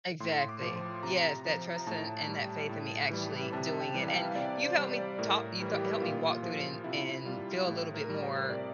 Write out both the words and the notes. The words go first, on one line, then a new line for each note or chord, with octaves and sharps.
Exactly. Yes. That trust and and that faith in me actually doing it. And you've helped me ta you th helped me walk through it and and feel a little bit more
A2 C6
D6
F3
C6
C3 A#5
F3
A#5
A2 A5
G3
A2
E3 G3
C3 A5
G5
E3 G3
F5
C3 D5
C5
G3
D5
A2 A#4
E3 G3
G4
A#2 F4
F3
C3 E4
G3 F4
A2
A#4
G3
C5
C3 D5